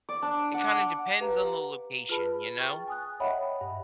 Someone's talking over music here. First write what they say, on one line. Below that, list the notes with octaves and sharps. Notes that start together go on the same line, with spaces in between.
it kinda depends on the location, you know?
D5
D4
F#5
G4 B4 F5 A#5
F4 G#4 B4 A5 B5 F6
G5 C#6 F6 A6
G#5 D#6 F#6
C#5 D#5 E5 F#5 G5 B5
G2